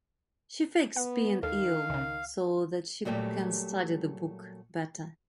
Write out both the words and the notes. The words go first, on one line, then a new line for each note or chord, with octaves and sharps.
She fakes being ill so that she can study the book better.
B3 F#5
D#2 D#3 A4 F5
C#2 C#3
A#2 F#3 G3 A3 G4